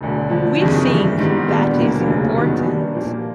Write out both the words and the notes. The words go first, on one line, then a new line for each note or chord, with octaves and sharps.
We think that is important.
E1 D2 D3
D2 D3 F3
F#1 F2 C3 D#3 G#3
G2 E3 G3
G#2 D#3 G3 B3
A#2 G3 B3 D4 G4
E1 D#2 D3 F#3 A#3
F1 D#2 C#3
F#2 D#3 G3 B3 D#4
B2 G3 A#3 D4
A#2 F3 A#3